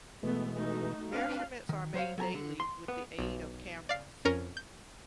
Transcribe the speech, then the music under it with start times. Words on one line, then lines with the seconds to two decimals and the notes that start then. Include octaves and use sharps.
Measurements are made daily with the aid of cameras.
0.23 B2 E3 G#3 A3 B3
0.56 A3 D#4 F#4
1.13 C4 D4 B4 F5
1.69 D#3
1.94 F#3 C5 C#5 F5
2.18 F#3 A4 G#5 A#5
2.34 D3
2.60 C6
2.88 B3
3.19 B1
3.89 D5 F5 C7
4.25 F2 C#4 A#4
4.57 G6